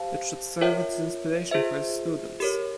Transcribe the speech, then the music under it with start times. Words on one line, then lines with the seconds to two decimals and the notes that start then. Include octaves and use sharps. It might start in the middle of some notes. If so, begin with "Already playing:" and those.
It should serve as inspiration for his students.
Already playing: G4 C5 F5 A5
0.61 F4 A#4 C#5 E5 G5
1.51 F4 G#4 C5 E5
2.40 G4 A#4 C#5